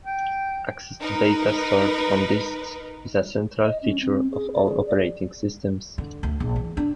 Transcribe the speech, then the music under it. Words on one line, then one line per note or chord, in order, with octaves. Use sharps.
Access to data stored on disks is a central feature of all operating systems.
G5
D#4 A#4 B4
D#5
C#4
C4
G#4
D5
G#4
D5
D3
D2
A#1
E3
D4